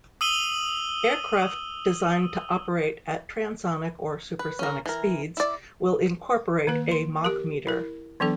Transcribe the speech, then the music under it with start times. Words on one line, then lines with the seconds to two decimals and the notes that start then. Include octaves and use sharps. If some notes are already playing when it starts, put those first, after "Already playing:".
Aircraft designed to operate at transonic or supersonic speeds will incorporate a machmeter.
0.21 D#6 E6 D#7 F#7 G7
4.39 B4
4.59 C#4 A#4
4.86 E3 A#4
5.37 E4 D5
6.67 D#3 A#3 B4
6.92 C6
7.25 G4 A#4
7.67 E4 A#4
8.20 E3 F#3 B3 D4 A4